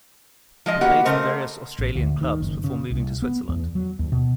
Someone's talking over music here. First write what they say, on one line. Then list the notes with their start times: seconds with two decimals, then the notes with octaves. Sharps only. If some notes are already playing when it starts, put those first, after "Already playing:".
He played for various Australian clubs before moving to Switzerland.
0.66 F3 G#3 D#5
0.81 A#3 B3 F#4 G4 F#5
1.05 C#3 A3 A#4 C5 D#5
1.79 A1
1.95 D2
2.21 D#3
2.40 F#1
2.64 C#3
2.91 C2
3.22 B3
3.49 E2
3.75 F#3
3.99 D#2
4.12 B2